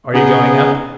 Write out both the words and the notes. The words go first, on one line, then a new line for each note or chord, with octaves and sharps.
"Are you going up?"
C#3 B3 D#4 G#4